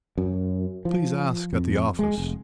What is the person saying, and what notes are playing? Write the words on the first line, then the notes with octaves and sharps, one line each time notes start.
"Please ask at the office."
F#2
F3
F2
G#3
F1